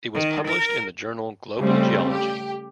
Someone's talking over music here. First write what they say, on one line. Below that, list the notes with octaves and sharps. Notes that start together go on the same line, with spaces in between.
It was published in the journal Global Geology.
D#3
A#4
C#3 G3 A3 C4
G4